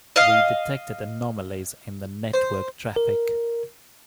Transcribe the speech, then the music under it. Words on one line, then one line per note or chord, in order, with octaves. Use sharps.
We detected anomalies in the network traffic.
D#5 F5
C5
A#4